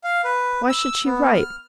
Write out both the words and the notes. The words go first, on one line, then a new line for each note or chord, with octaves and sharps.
Why should she write?
F5
B4
E6
B3
F6